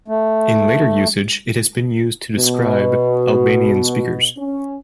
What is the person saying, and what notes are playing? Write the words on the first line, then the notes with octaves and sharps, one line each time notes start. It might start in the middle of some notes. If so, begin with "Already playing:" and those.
In later usage, it has been used to describe Albanian-speakers.
A3
B2
C#4